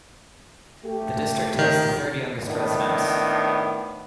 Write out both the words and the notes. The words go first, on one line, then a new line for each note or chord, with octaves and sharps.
The district has the third youngest residents.
A3 G4
D#3
A2 D#3 B3 D4